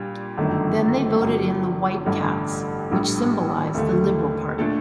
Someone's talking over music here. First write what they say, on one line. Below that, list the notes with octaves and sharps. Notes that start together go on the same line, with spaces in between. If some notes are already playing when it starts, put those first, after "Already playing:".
Then they voted in the white cats, which symbolized the Liberal Party.
Already playing: A#2 G3 D4
G1 F#2 D#3 A3 D4
G1 G2 F#3
A1 G2 D3 A3
A#1 A2 G3 D4
D#2 D3 A3
A#2 A3 D4 A4